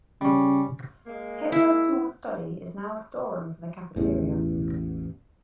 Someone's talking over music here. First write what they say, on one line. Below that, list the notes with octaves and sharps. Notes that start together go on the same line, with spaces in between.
Hitler's small study is now a store room for the cafeteria.
C#3 G3 C#4
G#3 A#3
E4
A1 E2